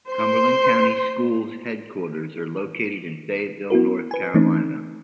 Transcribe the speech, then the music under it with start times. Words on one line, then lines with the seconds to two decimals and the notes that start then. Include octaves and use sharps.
Cumberland County Schools' headquarters are located in Fayetteville, North Carolina.
0.11 C5 C6
3.70 B3 E4 F#4 A#4
4.11 B4 G#5
4.34 E3 A3 C4 C#4 D#4